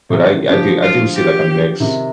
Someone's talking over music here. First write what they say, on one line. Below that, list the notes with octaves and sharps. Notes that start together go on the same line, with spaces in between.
But, I I do I do see, like, a mix.
C3
D3
D#3
D3 F3 G4
F4
G4
C3 D#3